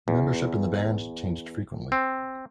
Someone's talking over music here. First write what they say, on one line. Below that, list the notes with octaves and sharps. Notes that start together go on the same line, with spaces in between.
Membership in the band changed frequently.
E2
C4